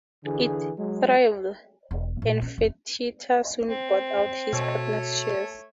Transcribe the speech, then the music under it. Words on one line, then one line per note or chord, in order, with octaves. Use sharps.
It thrived, and Fertitta soon bought out his partners' shares.
D3 E3 G#4
F#3 G#3
E1
A#2
C#4
F1
C4
B2 A3 C#5